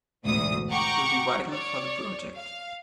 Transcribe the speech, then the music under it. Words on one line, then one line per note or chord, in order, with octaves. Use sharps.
It will be vital for the project.
A1 D2 G#2 B2 D#6
F#5 G5 A#5 C#6 D6
C#5 D5
F5